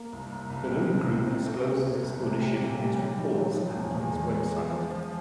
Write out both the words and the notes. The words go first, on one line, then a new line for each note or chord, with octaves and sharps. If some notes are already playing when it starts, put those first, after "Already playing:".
The Lewin Group discloses its ownership in its reports and on its web site.
Already playing: A#3
C2
C2
C2
C4
B2
C#2
C4
A3
A3
C3
C2
C3
G3
A#2
G3
F#3
D#3
F#3
F3
E2
E2
G#3
B3
G#3
F3
F3